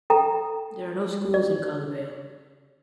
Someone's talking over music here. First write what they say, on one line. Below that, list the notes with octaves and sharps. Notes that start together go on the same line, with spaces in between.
There are no schools in Caldervale.
A4 G5 A#5
D5